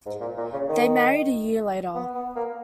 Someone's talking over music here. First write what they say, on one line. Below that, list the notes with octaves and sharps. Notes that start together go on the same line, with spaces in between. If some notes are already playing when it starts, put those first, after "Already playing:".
They married a year later.
G#2
A#2
A#2
C#3
D#3
B3
B3
A#3